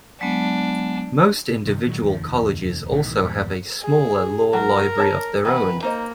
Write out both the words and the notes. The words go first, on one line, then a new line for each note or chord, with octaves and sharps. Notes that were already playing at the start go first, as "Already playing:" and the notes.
Most individual colleges also have a smaller law library of their own.
F#3 G#3 B3 D4
G2 C3 D#3
A#2 D#3 F#3 G#3
F1 D#2 D#3 F3
B1 A2 D#3 E3
E2 A#2 G3
G#4
F#3 A#4
C#5 A5 A#5
D#3 E3 B4 F#5
A#3 D#4 C5 D#5